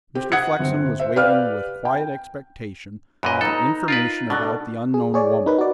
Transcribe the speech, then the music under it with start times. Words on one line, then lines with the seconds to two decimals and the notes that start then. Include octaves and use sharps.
Mr. Flexen was waiting with quiet expectation for information about the unknown woman.
0.15 C4 G4
0.32 F#5 D#6 F#6 G#6 C#7
0.59 G1 C4
0.99 C5 E5
1.16 G4 B4 D5 F5 F6
1.85 G5
3.23 F#2 A#2 B4 D#5
3.41 D#4 A4 A#5
3.88 F4 A#4 B4
4.30 B2 D4 A4 F#5
4.94 G#4
5.14 G#4 C#5 D5
5.46 D#4 A#4 B4
5.59 F#4 D5